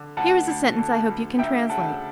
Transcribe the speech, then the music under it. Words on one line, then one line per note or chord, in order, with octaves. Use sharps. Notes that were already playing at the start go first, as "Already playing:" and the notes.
"Here is a sentence I hope you can translate."
Already playing: D3
D2 F#5 A5
D2
D3
D2
D2 E5 G5
C#3 F#5 A5